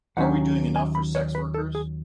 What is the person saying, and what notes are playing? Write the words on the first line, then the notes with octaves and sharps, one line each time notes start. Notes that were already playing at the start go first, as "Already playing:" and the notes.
Are we doing enough for sex workers?
D#2 D#3 F#3 C#4 F#5
G#5
B5
C#5
B4
A4
G#4